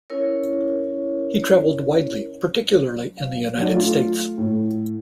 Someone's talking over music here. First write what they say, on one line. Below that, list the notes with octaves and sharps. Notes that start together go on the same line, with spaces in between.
He travelled widely, particularly in the United States.
C#4 E4 A#4 C#5
F5
F#3 D4
A3 F4
A2